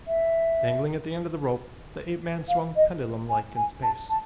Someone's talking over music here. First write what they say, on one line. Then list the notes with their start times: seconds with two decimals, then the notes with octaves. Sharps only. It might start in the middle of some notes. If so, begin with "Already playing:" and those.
Dangling at the end of the rope the ape-man swung pendulum-like in space.
0.07 E5
2.48 F5
2.75 D#5
3.28 G#5
3.55 G#5
3.82 A5
4.09 A5